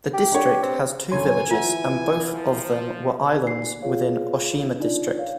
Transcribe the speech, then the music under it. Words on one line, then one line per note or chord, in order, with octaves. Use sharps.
The district has two villages and both of them were islands within Oshima District.
G4
D4 C#5
C4
F#2 D3 C#5 G#5 C6
E3 F4 E5 F#5
F3
D#4 D5 G#5 C7
F4 G#4 C#5 F5
D4 D#4 F4 D5
C#5 F5